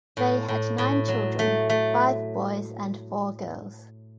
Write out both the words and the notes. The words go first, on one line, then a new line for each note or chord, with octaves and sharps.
They had nine children: five boys and four girls.
A2
A2
A2
F#3
A3
A3